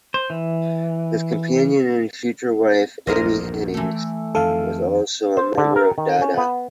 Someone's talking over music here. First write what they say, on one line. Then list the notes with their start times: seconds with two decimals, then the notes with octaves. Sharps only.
His companion and future wife, Emmy Hennings, was also a member of Dada.
0.14 C5
0.30 E3
3.07 A#1 E2 G2 A#4 C5 D#5
3.74 E3 A3
4.35 F2 D#3 A4 F5
5.37 C5
5.58 D3
5.76 A#4
5.98 D#3
6.21 C#4
6.37 B3